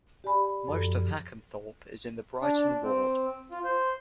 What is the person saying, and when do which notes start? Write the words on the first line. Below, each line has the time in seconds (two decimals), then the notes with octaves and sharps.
Most of Hackenthorpe is in the Beighton ward.
0.24 G4 D5 G#5 B5
0.67 F#2 F3 A4
2.42 D4
2.83 C4
3.51 F4
3.64 C5